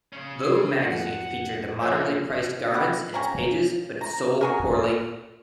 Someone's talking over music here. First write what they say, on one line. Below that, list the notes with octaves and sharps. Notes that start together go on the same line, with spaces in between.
Vogue magazine featured the moderately priced garments in its pages, but it sold poorly.
C#3 C#4
F2 F#5
D#2 F3 A#3 C#5 E5
G4 B4 F#5
C#4 G4 F5 A#5
A#5
F#4 G#4 A#4